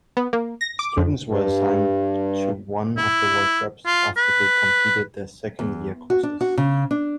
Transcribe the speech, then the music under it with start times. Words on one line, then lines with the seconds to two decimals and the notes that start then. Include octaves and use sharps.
Students were assigned to one of the workshops after they completed their second-year courses.
0.17 B3
0.33 A#3
0.61 A#6
0.79 D6
0.97 F2
1.27 G2
2.97 E4
3.86 F4
4.17 B4
5.59 E2
6.10 F#4
6.23 D4
6.41 F#4
6.58 C#3
6.91 D4